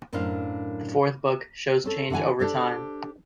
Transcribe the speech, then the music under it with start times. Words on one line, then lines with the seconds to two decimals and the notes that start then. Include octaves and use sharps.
The fourth book shows change over time.
0.13 F#2 A2 D4 A#4 C5 F5
1.84 C4 C#4 A4
2.10 D3 E3 A#4 F#5 G#5
2.39 D4 G4 A4 C5